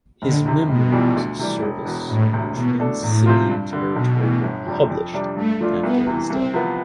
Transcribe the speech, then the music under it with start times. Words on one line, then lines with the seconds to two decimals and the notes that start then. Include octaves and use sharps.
His memoirs of service in the Transcaspian territory were published after his death.
0.22 F1 D3
0.45 E2 C3
0.69 F1 B2
0.92 F2 E3 G3
1.16 D2
1.39 C3 E3 G3
1.62 E1
1.85 E2 B2
2.09 E1 A2
2.33 D2 C3
2.55 E2 B2
2.79 B2 A3 D4 A4
3.03 E2 A2
3.26 C3 F3 C4 F4
3.49 G2
3.73 D3 G3
3.96 B1 B2
4.20 A2 E3
4.43 G1
4.66 F2 C3 G3
4.90 F2
5.13 C3 G3 D4
5.36 G2 A3
5.60 F3 A3 D4 F4
5.83 C2 B3
6.06 C3 E3
6.30 C2 C4
6.53 C3 F3 B3